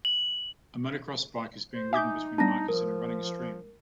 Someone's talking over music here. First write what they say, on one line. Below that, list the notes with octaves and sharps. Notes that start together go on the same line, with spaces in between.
A motocross bike is being ridden between markers in a running stream.
F#7
C5
D#4 E5 G#5 D6 D#6 G6
G3 B3 D4 A5 A#5 A#6
F3 A#4